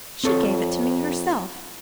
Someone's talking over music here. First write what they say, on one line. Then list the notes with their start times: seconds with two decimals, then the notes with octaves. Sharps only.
"She gave it to me herself."
0.24 F2 C4 A4 C#5